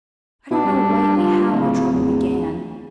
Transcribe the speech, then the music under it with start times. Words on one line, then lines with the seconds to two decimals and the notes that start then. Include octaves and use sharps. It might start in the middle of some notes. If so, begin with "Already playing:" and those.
I don't know rightly how the trouble began.
0.51 B2 D4
0.65 G2
1.17 F4
1.53 D1 C#3
1.93 E2